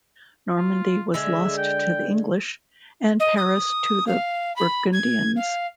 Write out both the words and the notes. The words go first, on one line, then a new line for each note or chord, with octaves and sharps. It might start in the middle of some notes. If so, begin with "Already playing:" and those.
Normandy was lost to the English and Paris to the Burgundians.
F4
D3 G#3 E5
G5
D#5
D#6
F5
B5
G#6
F5